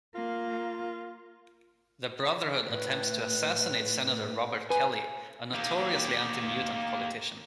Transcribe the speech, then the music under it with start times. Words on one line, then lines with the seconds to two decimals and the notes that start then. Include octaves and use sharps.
The Brotherhood attempts to assassinate Senator Robert Kelly, a notoriously anti-mutant politician.
0.15 A#3 F4
2.70 A2 B4
4.70 B4 G#5
5.53 A#3 G4